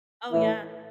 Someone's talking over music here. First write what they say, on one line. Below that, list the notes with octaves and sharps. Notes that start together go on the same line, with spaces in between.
Oh, yeah.
A2 E3 A3 E4